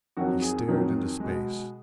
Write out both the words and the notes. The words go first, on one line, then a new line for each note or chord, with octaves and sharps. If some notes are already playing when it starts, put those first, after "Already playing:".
He stared into space.
F2 D#3 F#3 F#4
G#4
F2 D#3 F#3
B2 G#3